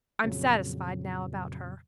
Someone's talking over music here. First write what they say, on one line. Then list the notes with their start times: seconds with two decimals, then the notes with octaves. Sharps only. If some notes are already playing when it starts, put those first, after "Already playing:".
I'm satisfied now, about her.
0.24 F2 A#2 C#3 F#3